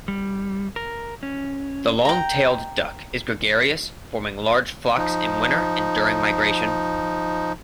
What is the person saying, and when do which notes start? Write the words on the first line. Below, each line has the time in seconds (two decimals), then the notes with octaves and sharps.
The long-tailed duck is gregarious, forming large flocks in winter and during migration.
0.08 G3
0.76 A#4
1.23 C#4
2.05 G5 A#5
4.97 F3 D#4